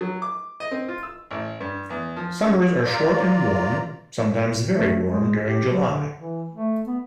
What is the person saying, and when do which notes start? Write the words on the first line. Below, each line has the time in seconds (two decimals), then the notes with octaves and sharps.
Summers are short and warm, sometimes very warm during July.
0.01 F#3
0.22 D6
0.60 D#5
0.71 C4
0.88 F4
1.03 E6
1.31 A1
1.60 G2
1.90 E2
2.16 F3
2.47 C#4
2.86 F4 D5 A#5
4.68 A3
5.06 G#3
5.43 G4
5.71 F#3
5.85 D3
6.16 E3
6.51 A3
6.87 B3